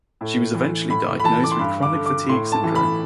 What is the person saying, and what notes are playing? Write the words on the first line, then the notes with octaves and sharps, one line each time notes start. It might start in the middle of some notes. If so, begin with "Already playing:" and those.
She was eventually diagnosed with chronic fatigue syndrome.
A2
E3
A2 B5
B5
E3 A5
D6
C6
G2 B5
D6
D3
D6
A2 C6
A5
E3
B5